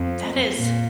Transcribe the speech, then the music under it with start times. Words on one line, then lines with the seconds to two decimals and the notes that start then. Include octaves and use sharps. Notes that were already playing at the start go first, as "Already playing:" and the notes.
That is
Already playing: F2
0.56 A#2